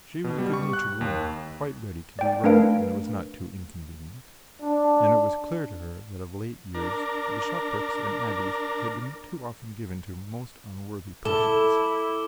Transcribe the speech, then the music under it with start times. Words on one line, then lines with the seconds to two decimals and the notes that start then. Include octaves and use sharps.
She was a good-natured woman, quite ready to do right when it was not too inconvenient, and it was clear to her that of late years bishoprics and abbeys had been too often given to most unworthy persons.
0.24 B2
0.38 G3
0.53 C#6
0.73 F#6
1.01 D#2
2.19 D5 G5
2.44 A3 D4 A#4 B4 F5 D7
4.60 D4
6.74 D4 A#4
11.25 E4 A4 D6 G7